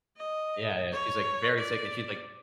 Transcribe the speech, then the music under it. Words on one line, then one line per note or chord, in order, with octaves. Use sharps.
Yeah, yeah. She's like, very sick and she's like
D#5
C#5
D5